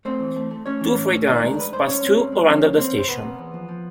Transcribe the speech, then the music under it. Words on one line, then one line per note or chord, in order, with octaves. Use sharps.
Two freight lines passed through or under the station.
A3 C4 C5
E3
A3
A3
A3 C#4 C#5
E3
A2
A3
D#3 D4 D5
G#3 A#4
G2 B4
G2 C5
G2 C#4 C#5
C4
G2
G#3
F3 C#4 C#5
A#3
A#3 C4 C5
C3 C5
C3 B3 B4
A#3
E2
F3
F3